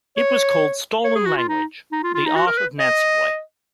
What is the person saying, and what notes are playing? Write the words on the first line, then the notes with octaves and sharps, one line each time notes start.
It was called "Stolen Language - the art of Nancyboy".
C#5
C#5
G#4
F#4
F4
D#4
D#4
F4
F4
D#4
F#4
A#4
B4
D#5